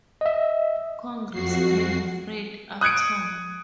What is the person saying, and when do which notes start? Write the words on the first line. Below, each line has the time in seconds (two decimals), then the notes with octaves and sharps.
Congressman Fred Upton.
0.21 D#5 E5
1.31 F2 F#4 C7
2.81 D#6 F#6 G#6 C#7 D7